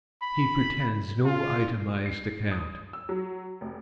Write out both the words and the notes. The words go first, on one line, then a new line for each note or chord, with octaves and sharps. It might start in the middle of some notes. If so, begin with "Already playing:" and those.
He pretends no itemised account.
B5
F4
C7
D#6
E6
F#3
F1